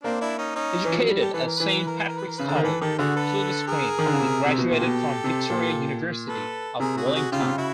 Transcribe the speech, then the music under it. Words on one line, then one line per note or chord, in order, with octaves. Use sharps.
Educated at Saint Patrick's College, Silverstream, he graduated from Victoria University of Wellington.
A#3 C4 D4
D4 E4
C#4 D#4
C#4 D#4
E3
F3
F#3
G3
G4 A4
E3 A4 B4
A#4
E3 B4
A#4
B4
A#4
B4
A#4
B4
A#4
C#3 B4
D3 G#4 A#4
D#3
E3 A4 B4
D#3 G4 A4
D3 F#4 G#4
A4 B4
G#4 A#4
D#3
D3
C#3
C3
C3
B2
A#2 G4 A4
B2
C3
A#2
A4 B4
C3 G#4 A#4
F#4 G#4
C3
F#4 G#4
C#3 F4 G4
C3
C#3
E4 F#4